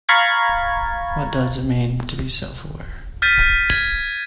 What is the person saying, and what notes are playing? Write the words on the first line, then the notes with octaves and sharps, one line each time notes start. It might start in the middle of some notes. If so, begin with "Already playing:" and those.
What does it mean to be self-aware?
F5 A#5 B5 C#6 G#6 A6
F6 G6 A6 B6 D#7
G#6